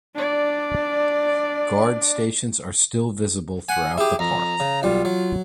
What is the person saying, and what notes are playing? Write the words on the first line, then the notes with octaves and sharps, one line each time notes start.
Guard stations are still visible throughout the park.
D4 D5
F#5 G#5
E4 G4 G#4
F2 A#5
C#3
B1 G3 F4
F#3